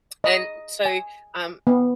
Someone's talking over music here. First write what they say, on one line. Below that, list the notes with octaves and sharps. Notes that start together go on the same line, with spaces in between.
And so, um,
D#5
G#5
B3